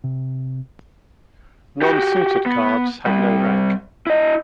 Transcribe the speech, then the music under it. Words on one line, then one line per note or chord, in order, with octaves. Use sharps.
Non-suited cards have no rank.
C3
F#4 G4
B3
G3 C4
E4 D#5